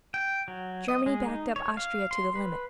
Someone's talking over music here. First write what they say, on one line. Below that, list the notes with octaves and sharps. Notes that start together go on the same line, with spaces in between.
Germany backed up Austria to the limit.
G5
F#3
D#5
G#3
D#4
C#5
F5
C6
B4